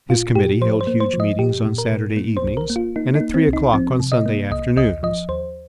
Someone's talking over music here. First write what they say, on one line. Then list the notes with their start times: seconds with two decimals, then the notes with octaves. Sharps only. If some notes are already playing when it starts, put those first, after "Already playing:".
His committee held huge meetings on Saturday evenings and at three o'clock on Sunday afternoons.
0.09 A#2 F4
0.35 A#2 G4
0.61 F3 C5
0.81 C5
0.87 A#3
1.00 C5
1.14 F3
1.20 D#5
1.39 A#2 G4
1.66 A#2
1.78 A#4
1.92 A#2
2.17 A#3
2.37 C5
2.43 C2
2.57 A#4
2.70 A#3
2.76 F4
2.96 A#3 D#4
3.15 D#4
3.21 A#3
3.34 C4
3.48 C2
3.53 D#4
3.73 F3 C4
4.00 C3
4.12 D#5
4.26 A#3
4.51 C2 D#5
4.77 C2 D#5
5.03 F3 D#5
5.29 D#2 C5